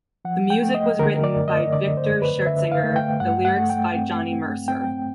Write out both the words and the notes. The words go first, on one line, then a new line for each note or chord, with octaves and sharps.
The music was written by Victor Schertzinger, the lyrics by Johnny Mercer.
F3 F#5
G5
A3
D#5
D3 A#4
D5
F#2
D#5
D3 D5
C5
F#2
B4
D3 E5
F5
A3
G5
G2 F#5
F#5
A3
G5
C4
C4
C4 G5